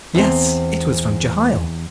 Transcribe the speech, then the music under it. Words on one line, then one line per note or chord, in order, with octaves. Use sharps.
Yes, it was from Jehiel.
E2 C4